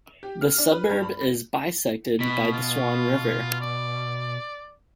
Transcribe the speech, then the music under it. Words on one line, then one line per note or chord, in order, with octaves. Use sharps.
The suburb is bisected by the Swan River.
G4
F6
D4
B4
G2
B5
A#6
B2 B5
F4
D5